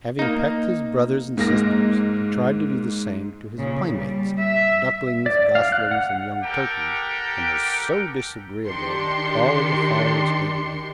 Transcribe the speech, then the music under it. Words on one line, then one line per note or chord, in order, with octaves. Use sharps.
Having pecked his brothers and sisters, he tried to do the same to his playmates, the ducklings, goslings, and young turkeys, and was so disagreeable that all the fowls hated him.
A#3 D#4
G#2 A#3 A#6
A#2 C#3
G3
E5
D5
F5
F#6
F#5
G4 A4 A#4 F#5 G5
D#3 D4 G4 C6 C7 C#7